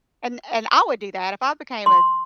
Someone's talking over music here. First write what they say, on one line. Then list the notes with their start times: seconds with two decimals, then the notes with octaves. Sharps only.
And and I would do that if I became a
1.86 C6